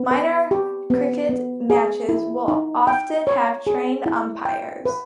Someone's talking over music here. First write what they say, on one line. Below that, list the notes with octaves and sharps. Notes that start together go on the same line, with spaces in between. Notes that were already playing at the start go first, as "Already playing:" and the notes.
Minor cricket matches will often have trained umpires.
Already playing: B3
B4
G4
B3
B3
G#4
E4
D#4
G5
C#5
G#4
E4
G5
B4